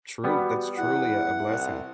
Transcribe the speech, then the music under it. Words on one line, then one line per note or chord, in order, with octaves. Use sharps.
tru that's truly a a blessing.
G3 B3 F#4
E2 E4 F#5
C2